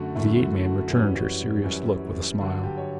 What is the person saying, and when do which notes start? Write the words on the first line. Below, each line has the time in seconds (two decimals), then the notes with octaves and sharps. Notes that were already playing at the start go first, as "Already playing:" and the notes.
The ape-man returned her serious look with a smile.
Already playing: F#2 D3 A3 F#4 A4
0.15 F#2 D3 A3 E4
0.40 F#4
0.65 F#4
0.89 F#2 E3 G3 C#4
1.64 F#2 E3 G3 C#4
2.38 G2 D3 F#3
2.63 G4
2.77 C#5